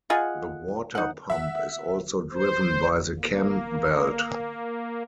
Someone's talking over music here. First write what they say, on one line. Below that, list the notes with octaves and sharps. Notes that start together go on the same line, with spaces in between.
The water pump is also driven by the cam belt.
F4 G#4 D#5 F#5
D#4 F#5
E5 F#5
C5
A#3